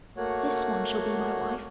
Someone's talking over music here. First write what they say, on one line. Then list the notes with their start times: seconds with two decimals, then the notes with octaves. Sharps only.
'This one shall be my wife.
0.17 A3 A#3 F#4 C#5 F#5